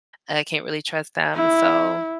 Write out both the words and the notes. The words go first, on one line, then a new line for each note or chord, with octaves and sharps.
that I can't really trust them so,
E4